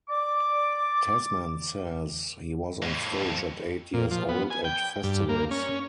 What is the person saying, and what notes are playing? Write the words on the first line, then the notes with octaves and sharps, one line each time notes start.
Tasman says he was on stage at eight years old at festivals.
D5 D6
F2 A2
A#2
F3
B3
G#5
G5
G2
A#3
C#4